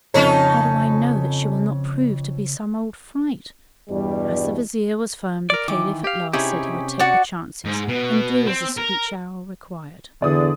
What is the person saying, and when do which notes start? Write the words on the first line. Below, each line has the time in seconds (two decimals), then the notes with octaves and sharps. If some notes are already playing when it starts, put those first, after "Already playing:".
"How do I know that she will not prove to be some old fright?" As the Vizier was firm, the Caliph at last said he would take the chances and do as the screech owl required.
0.14 F2 C#3 C#4 D#4 A4 C#5
3.89 E2 G2 B2 G3
5.50 A#4 D5
5.68 D#3 E3 D6
6.04 G4 F5
6.33 C3 C#4 D#4 E4 G4 G#4
6.99 F#4 D5 F#5
7.65 G#2
7.88 B2
8.47 C4
8.77 A#4
10.22 E2 D3 D5 D#6